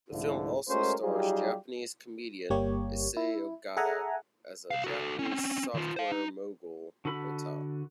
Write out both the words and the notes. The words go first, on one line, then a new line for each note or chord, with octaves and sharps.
The film also stars Japanese comedian Issey Ogata as a Japanese software mogul, Ota.
C2 G#2 D3 F3 A3 E4
G#3 A3 C#4 F#4 A#4 C5
F#3 G3 D#4 F4 G4 G#4
G1 G3 A#3 G4 C#5
E4
G#4 A4 E5 F#5 G#5 A#5
C2 F5
F#4 A4
C4 C#4
D#3 F4
C5 F5
D#4
D3 F#4 A4 B5